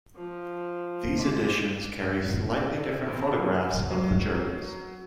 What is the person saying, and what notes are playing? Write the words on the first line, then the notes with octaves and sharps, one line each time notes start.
These editions carry slightly different photographs of the journeys.
F3
G#3 D5 B6
D5
A4
E5
A1
A5
F#3
F6
F#3